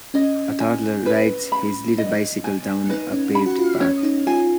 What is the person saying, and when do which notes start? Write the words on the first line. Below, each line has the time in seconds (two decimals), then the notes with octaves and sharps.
A toddler rides his little bicycle down a paved path.
0.14 C#4 D#5
0.60 G#5
1.06 B4
1.52 B5
1.98 D#5
2.44 G#5
2.90 D#4 B4
3.12 C#4
3.35 B5
3.46 F#4
3.59 F4
3.81 C#4 C#5
4.03 D#4
4.27 F4 G#5